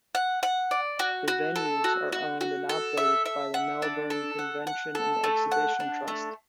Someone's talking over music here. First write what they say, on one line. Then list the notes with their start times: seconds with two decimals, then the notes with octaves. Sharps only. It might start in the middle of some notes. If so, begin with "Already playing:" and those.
The venues are owned and operated by the Melbourne Convention and Exhibition Trust.
0.15 F#5
0.43 F#5
0.71 D5
0.99 F#4
1.28 F#4
1.56 A4
1.84 F#4
2.12 F#4
2.41 F#4
2.69 A4
2.97 E5
3.26 E5
3.54 F#5
3.82 D4
4.10 A4
4.39 F#5
4.67 F#5
4.95 A4
5.24 A3
5.51 F#5
5.80 D4
6.08 A3